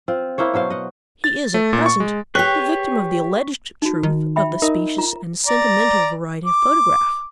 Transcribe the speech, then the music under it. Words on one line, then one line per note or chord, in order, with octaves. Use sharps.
He is at present the victim of the alleged truth of the specious and sentimental variety of photograph.
C4 F4
A#3 E4 C5 C#5
B2 F#3 C5 F5
D#5 F#5
A6
A3
A#2
C#6
G#3
G4 G#4 B4 C#5 G5 C#6 F#6 B6
D#4 F#4
D#3
E5 G5 B5
D#4 A#4
F4 A#5
D5 A#5
D6